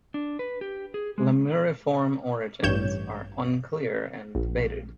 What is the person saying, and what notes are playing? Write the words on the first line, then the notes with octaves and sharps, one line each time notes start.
Lemuriform origins are unclear and debated.
D4
B4
G4
G#4
G#3
A1 G2 C#5 G6 E7
A#1